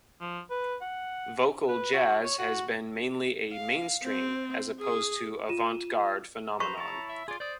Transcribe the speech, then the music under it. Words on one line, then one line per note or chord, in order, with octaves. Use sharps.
Vocal jazz has been mainly a mainstream, as opposed to "avant-garde," phenomenon.
F3
B4
F#5
B4
F#4
C#5
F#4
F5
C4
G#4
F4 D#7 E7
B4 C5 A#5 C#6
E4 C#5 A5
E5
F4 G#4 D5
C5 D5 D#6